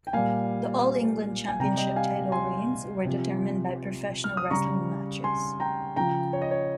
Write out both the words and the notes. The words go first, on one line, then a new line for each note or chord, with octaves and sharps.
The All-England Championship title reigns were determined by professional wrestling matches.
G5
A#2 G3 F5 G#5
G#5
C3 G3 G5 A#5
D#5 G5
F5 G#5
G#5 C6
C3 F3
F6
D#6
C#3 G3 A#5 C#6
G#5 C6
G5 A#5
C#3 F3 G5 A#5
C#5
D#5
C#5